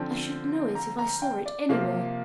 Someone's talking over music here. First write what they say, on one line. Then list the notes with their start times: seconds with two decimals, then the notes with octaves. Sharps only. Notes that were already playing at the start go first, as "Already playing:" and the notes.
I should know it if I saw it anywhere.
Already playing: D3 F3 C4
0.75 A#5
0.99 A#5
1.22 G5
1.46 D5
1.69 C3 F3 A#3 F5